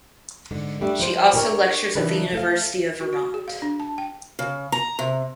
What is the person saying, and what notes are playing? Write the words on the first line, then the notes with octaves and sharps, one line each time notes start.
She also lectures at the University of Vermont.
G#2 D3 G#3
G3 A3 D4 G4 E5
F3 C5
D4 E4 G4 A4 A#4 C#5
C#3 E3 D4 D#4 A#4 B4
A3 A4 F5
F#4
F#4
G#4
F5
D4
A5
G5
C#3
A#5
C3